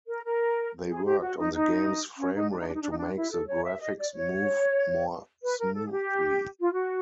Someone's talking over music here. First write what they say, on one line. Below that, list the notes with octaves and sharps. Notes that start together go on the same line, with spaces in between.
They worked on the game's framerate to make the graphics move more smoothly.
A#4
A#4
G#4
G4
F#4
D#4
D#4
C#4
D#4
D4
D#4
D4
D#4
D4
D#4
D4
E4
A4
C#5
E5
D#5
D5
C#5
B4
A#4
A4
G#4
G4
F4
F#4